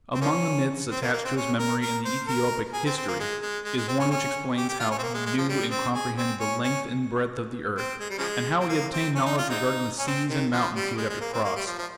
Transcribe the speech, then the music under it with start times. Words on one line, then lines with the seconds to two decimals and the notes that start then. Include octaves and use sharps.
Among the myths attached to his memory in the Ethiopic "history" is one which explains how "he knew and comprehended the length and breadth of the earth", and how he obtained knowledge regarding the seas and mountains he would have to cross.
0.15 C4
0.21 F3 A#3 C#4
0.91 C4
1.02 A#3
1.13 A#3
1.25 C4
1.37 C#4
1.59 A#4
1.82 A#4
2.05 C5
2.27 A#4
2.73 G#4
2.85 C4
2.97 C4
3.08 A#3
3.20 G#3
3.42 G#3
3.65 G#3
3.77 G#3
3.88 C4
4.00 C#4
4.11 C#4
4.57 G4
4.69 G4
4.79 F4
4.91 C#4
4.99 C4
5.03 A#3
5.14 G#3
5.26 G#3
5.38 F3
5.49 G3
5.71 C4
5.94 G#4
6.18 C4
6.40 C#4
6.64 C#4
7.78 C4
8.00 G#3
8.10 G3
8.18 C#3 F3 G#3
8.60 C4
8.69 A#3
8.92 C4
9.15 C#4
9.26 D#4
9.38 F4
9.50 G#3 C4 D#4
9.99 C#4
10.07 C4
10.30 D#3
10.52 F3
10.76 G3
10.98 G#3
11.10 G#3
11.21 A#3
11.33 C4
11.44 A#3
11.56 G3
11.66 F3
11.79 F3